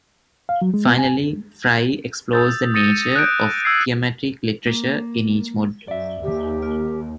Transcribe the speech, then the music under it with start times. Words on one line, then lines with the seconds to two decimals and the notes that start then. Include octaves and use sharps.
Finally, Frye explores the nature of thematic literature in each mode.
0.49 F5
0.62 F#3
0.74 G#3
0.86 B3
0.98 G#5
2.33 D#6 E6 G6 A6
2.74 D#6 A6 A#6 C#7 D#7 E7
3.16 F#6 G6 D7
3.65 E6 G#6 C7
4.67 A#3
5.88 F#2 D5 E5
6.23 D#2 G4
6.63 A#4